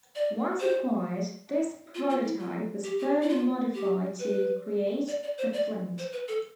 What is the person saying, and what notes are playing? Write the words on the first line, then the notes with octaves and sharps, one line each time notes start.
Once acquired, this prototype was further modified to create the Flint.
D5
C5
F4
F4
E4
F4
G4
G4
E4
F4
G4
B4
D5
D5
C5
D5
C5
B4
A4